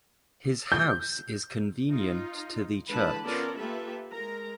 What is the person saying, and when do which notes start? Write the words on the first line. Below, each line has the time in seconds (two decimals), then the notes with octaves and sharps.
His house is convenient to the church.
0.72 G6
1.90 D#4 F4
2.89 D3 E3 G#3 B4 A5 B5
3.23 B3 C#4 F4 A4 A#4 D5
3.57 A#3 F4 G4 A4 B4 E5
4.12 G#3 A#4 A#5